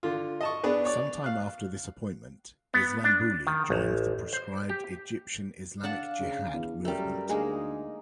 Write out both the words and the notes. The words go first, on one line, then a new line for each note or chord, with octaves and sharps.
Sometime after this appointment, Islambouli joined the proscribed Egyptian Islamic Jihad movement.
D3 F4
D#5 A5 C#6
B3 D4 G#4 B4
C#5 D5
F5 F#6
B3
D4
D#3
A1
C5
G4
D4 F5 F#5 A5
C#3
E2
F#2 G3 A3 A#4
D2 G#3 A#3 D#4 G#4